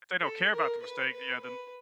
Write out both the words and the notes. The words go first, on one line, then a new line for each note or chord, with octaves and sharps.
If they don't care about the mistake, yeah, then,
A4
A#4
B4
B4
B4